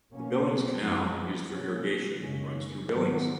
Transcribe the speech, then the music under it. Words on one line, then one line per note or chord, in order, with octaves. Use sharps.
The Billings Canal, used for irrigation, runs through Billings.
B2 A#3 C#4
F#2 F3 G#3 B3
B2 A#3 C#4
F#2 C#3 G#3 C#4
G#2 D#3 F#3 B3